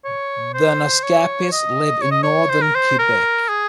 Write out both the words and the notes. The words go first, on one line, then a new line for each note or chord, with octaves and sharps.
The Naskapis live in northern Quebec.
C#5
C5
C#5
D#5
C#5
D#5
C#5
C5
A#4
C5
A#4
G#4